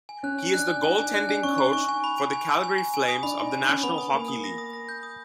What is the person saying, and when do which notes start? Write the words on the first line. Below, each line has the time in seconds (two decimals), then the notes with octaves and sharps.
He is the goaltending coach for the Calgary Flames of the National Hockey League.
0.09 G#5
0.23 C#4 F#6
0.39 G#5
0.54 D4 F#6
0.69 G#5
0.84 D#4 G#5
0.98 D4 G#5
1.13 D4 F#6
1.29 D4 G#5
1.43 C#4 C#6
1.58 G#5
1.73 D#4 C#6
1.89 G#5
2.04 B5
2.18 G#5
2.33 G#5
2.49 G#5
2.63 G#5
2.78 G#5
2.94 G#5
3.08 D#6
3.23 D4 B5
3.39 D#4 G#5
3.53 G#5
3.68 C#4 G#5
3.83 B3 B5
3.98 D#6
4.13 A#3 G#5
4.28 D#6
4.44 A#6
4.58 D#6
4.73 A#6
4.89 G6
5.03 D#6